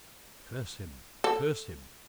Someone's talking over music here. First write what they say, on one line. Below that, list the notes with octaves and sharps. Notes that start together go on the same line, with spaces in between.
Curse him! Curse him!
A4